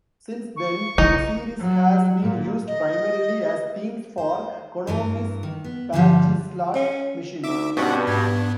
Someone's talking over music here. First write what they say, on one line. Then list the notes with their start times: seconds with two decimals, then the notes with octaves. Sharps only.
Since then, the series has been used primarily as themes for Konami's pachislot machines.
0.56 C#6
0.98 C#3 D#4 E4
1.59 F#3
2.21 A#2
2.67 D#5
4.18 C5
4.87 G2 E3 A#4
5.43 D#3
5.64 B3
5.93 G2 D3 E3 F3 G3
6.75 C#4
7.44 D2 D#4 E5 D6
7.77 G2 B2 C4 C#4 F#5
8.07 G#2 B3 D4 G#6